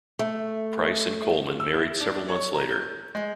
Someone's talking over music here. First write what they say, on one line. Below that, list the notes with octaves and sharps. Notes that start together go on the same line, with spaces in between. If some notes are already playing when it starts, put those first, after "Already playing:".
Price and Coleman married several months later.
A3
E6
E4
D4
C#5
A#5
G6
G#3